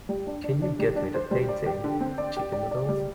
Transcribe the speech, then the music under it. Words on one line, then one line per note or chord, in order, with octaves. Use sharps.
Can you get me the painting, Chicken Noodles?
G3
D4
D4
D4
G3
D4
C5
G3
D5
G4
D3
C4
D5
G4
D5
D5
G3